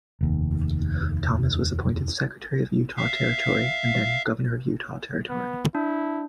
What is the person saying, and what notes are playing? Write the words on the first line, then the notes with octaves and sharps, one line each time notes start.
Thomas was appointed secretary of Utah Territory and then Governor of Utah Territory.
F1 D#2
E5 F5
B3
D4 E4